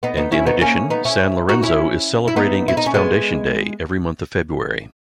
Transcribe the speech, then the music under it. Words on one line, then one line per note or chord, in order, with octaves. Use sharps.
And in addition, San Lorenzo is celebrating its Foundation Day every month of February.
B3 D#4
B3 D#4
C#4 E4
B3 D#4
A#3 C#4
B3 D#4
C#4 E4
D#4 F#4
C#4 E4
E4
B3 D#4
E4
D#4
C#4
G#3 B3